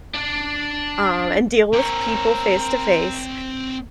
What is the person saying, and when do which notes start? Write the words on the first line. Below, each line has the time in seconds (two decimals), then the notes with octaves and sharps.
um, and deal with people face to face.
0.14 D4 D5
1.74 C4 A#4 C#5